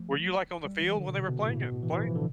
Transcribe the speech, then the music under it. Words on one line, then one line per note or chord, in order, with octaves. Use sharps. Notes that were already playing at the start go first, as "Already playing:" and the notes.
Were you, like, on the field when they were playing it playing?
Already playing: F3 A3
G3
E3
D3
B2
C3
B2
A2
B2
A2
E3
E3
F3
D3